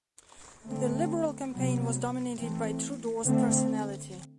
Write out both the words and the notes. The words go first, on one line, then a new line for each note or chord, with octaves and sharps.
The Liberal campaign was dominated by Trudeau's personality.
D3 A3 C4
C3 F#3 B3
E3 A3 C4
D3 A3 C4